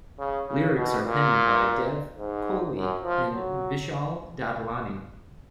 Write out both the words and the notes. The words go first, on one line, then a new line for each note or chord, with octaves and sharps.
Lyrics are penned by Dev Kohli and Vishal Dadlani.
C#3
C#3
B2
A#2
G#2
F#2
F3
F#3